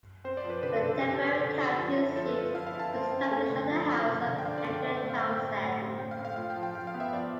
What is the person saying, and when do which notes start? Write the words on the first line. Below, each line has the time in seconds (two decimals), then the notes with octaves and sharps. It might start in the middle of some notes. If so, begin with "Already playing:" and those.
The temporary county seat was established at the house of Andrew Townsend.
0.24 C4 C5
0.37 D5
0.44 F3
0.50 B4
0.62 D3 B4
0.76 A4
0.82 D3
1.01 D3 G4
1.14 A4
1.20 C4
1.40 D3
1.58 D3
1.77 F3
1.97 E4
2.16 F3 A4
2.29 B4
2.35 F3
2.54 E4 F5
2.67 F5
2.74 E4
2.79 A5
2.93 C4
3.11 C4
3.31 A3
3.49 D3
3.70 F3
3.88 F3
4.07 D3
4.27 D3
4.39 G5
4.45 D4 F5
4.58 D5
4.65 D3
4.70 D5
4.83 C4 E5
4.97 G5
5.03 A2
5.10 F5
5.22 C4
5.42 A2
5.60 A2
5.79 C4
5.98 A2 G5
6.11 F5
6.17 A2
6.25 F5
6.36 F4 F5
6.50 G5
6.56 F3
6.63 G5
6.75 F3 F5
6.87 F5
6.94 B3
7.00 E5
7.13 F3 D5